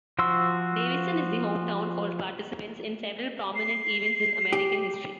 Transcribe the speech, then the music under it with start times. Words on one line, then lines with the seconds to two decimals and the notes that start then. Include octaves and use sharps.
Davison is the hometown for participants in several prominent events in American history.
0.19 F3 F#4 C6 E6
3.56 C7
4.53 G4